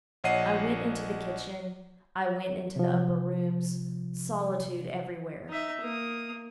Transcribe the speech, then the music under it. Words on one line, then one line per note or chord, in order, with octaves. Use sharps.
I went into the kitchen; I went into the upper rooms. Solitude everywhere.
A#1 C#5 D#5 F#5 C7 D#7
C3 F3
D#4 E5
A#3 D#6